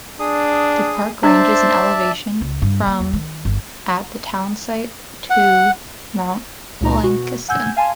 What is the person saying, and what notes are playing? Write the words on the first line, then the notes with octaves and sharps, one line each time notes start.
The park ranges in elevation from at the townsite to at Mount Blakiston.
D4 G#4 D#6
D4 C5 D5 E5 A5
C#2
G2
A#3
E2
D#3
G1
F#5
C#2 A#2 D#4 A#5
B2 F#4
F#5 G#5 E6 G6 G#6
F5 G#5 A5 C6